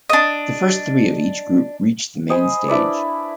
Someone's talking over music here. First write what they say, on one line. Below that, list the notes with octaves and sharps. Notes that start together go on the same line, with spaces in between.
The first three of each group reach the main stage.
D4 D#5
C5 D#5 G#5 B5
D4 E4 B4 D5